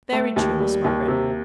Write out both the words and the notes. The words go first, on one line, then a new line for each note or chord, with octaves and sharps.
'Very true, Miss Margaret.
A3
D#2
G3
D#2
C3